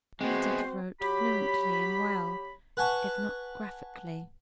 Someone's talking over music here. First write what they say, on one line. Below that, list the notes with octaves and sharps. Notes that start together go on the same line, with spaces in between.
Edith wrote fluently and well, if not graphically.
G#3 B3 C4 F#4 C5
F#3 G4 B5
B4 F#5 G#5 A5 C#6